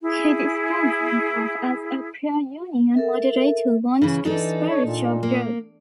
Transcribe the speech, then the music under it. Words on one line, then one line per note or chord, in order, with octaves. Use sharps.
He describes himself as a pro-union moderate who wants to spur job growth.
E4 G#4
A4 A#4 E5
C#3 E3 C#4
E3 D4 D#4 A4
C#5
A#2
A#3